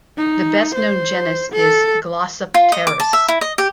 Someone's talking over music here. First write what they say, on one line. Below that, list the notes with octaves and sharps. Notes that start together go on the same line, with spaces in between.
The best known genus is "Glossopteris".
D#4
C5
A4
F4
D#5
D6
A5
E5
E4
D#5
G4